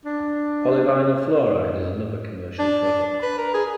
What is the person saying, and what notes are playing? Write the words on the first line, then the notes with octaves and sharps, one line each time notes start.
Polyvinyl fluoride is another commercial product.
D4
D4
B4
A#4
G#4